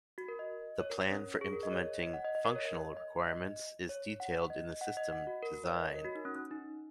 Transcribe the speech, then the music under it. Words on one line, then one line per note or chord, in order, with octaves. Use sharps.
The plan for implementing "functional" requirements is detailed in the system "design".
F#4
A#4
D#5
C#5
A#4
C#5
C#4
G#4
A#4
D#5
C#5
D#5
F#5
D#5
D#5
A#4
C#5
D#5
D#5
D#5
C#5
F#5
D#5
F#5
D#5
F#5
F#4
A#4
A#4
C#5
D#5
C#5
A#4
F#4
D#4
C#4
C#4
D#4